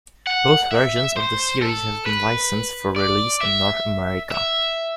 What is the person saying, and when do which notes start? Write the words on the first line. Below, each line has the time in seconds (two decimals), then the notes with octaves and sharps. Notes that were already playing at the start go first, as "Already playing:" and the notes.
Both versions of the series have been licensed for release in North America.
0.27 F#5
0.71 E5
1.17 C5
1.62 A4
2.06 B4
2.96 D5
3.41 E5
4.31 E5